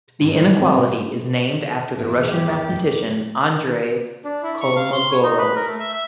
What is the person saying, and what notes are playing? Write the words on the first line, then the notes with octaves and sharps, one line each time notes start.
The inequality is named after the Russian mathematician Andrey Kolmogorov.
G#2
C4
E2 G#2
G4
F#2 A#2 E3
D4
E4
C#6
F5
C6
C#5
D#4
B4
A#4
A3
E5
E5